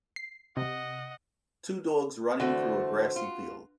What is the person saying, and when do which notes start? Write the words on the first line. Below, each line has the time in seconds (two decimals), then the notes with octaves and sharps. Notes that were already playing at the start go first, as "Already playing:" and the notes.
Two dogs running through a grassy field.
0.16 C7
0.57 C3 D#5 F#5
2.40 D3 E3 A3 F#4 C5
3.16 F4